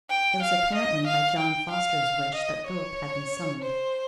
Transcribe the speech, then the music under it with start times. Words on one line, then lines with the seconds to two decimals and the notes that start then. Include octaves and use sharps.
It was apparently by John Foster's wish that Philip had been summoned.
0.10 G5
0.42 F5
0.75 D#5
1.07 F5
1.38 G5
1.71 F5
2.35 D#5
2.67 C#5
3.62 C5